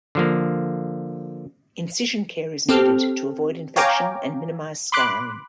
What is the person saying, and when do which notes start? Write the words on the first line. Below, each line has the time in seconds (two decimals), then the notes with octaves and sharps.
Incision care is needed to avoid infection and minimize scarring.
0.15 D3 F3 A#3
2.69 C4 G4 A4 F6
3.76 C#5 F5 G5 G#5 A#5 D6
4.92 B5 C6 D6 F#6